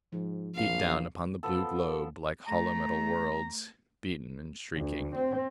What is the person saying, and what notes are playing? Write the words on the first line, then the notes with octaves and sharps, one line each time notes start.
Beat down upon the blue globe like hollow metal worlds, beaten and shrieking.
G#2 F3
A#1 F5
F3 B3 A4
A3 A#5
D2
C4